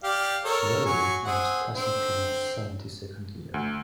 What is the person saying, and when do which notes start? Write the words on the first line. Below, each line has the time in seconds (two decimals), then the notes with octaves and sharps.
Verily I was passing through my seventy-second year.
0.03 G4 D5 F5
0.45 A4 A#4 C#5
0.86 F#3 G#5 C#6
1.25 C4 G#4 F#5
1.75 D3 C4
3.54 D2